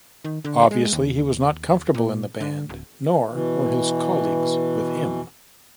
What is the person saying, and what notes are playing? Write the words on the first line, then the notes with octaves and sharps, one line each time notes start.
Obviously he was not comfortable in the band, nor were his colleagues with him.
D#3
D3
G#3
D#2
A#2
D3
D1
B2 E3